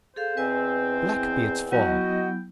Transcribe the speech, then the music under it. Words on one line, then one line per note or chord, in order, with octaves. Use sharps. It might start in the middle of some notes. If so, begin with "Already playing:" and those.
Black be its fall!
G#4 A4 C5 F5
E2 C4 B4 D#5 G#5
F#3 B3 E4 F#4 D#5 G5